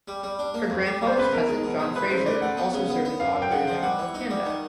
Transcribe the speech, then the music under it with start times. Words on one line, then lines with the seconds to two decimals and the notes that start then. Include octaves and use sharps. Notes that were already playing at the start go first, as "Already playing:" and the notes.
Her grandfather's cousin, John Fraser, also served as Auditor General of Canada.
0.08 G3
0.23 G3
0.39 D4
0.54 A#3
0.70 F2
0.86 G3
1.01 G3
1.07 C5
1.17 C#3 B4
1.33 B2 A#4
1.48 G#3
1.64 B2
1.79 G#3
1.95 E3 B4
2.11 C#3 C5
2.26 A3 D5
2.41 A3 F#5
2.57 B3
2.73 C#3
2.89 B3
3.05 B3
3.20 F#2 F5
3.36 F#2
3.42 G5
3.52 C#3 F#5
3.67 F3
3.83 G3 F#5
3.98 E3
4.14 D#4
4.30 G3
4.45 D#3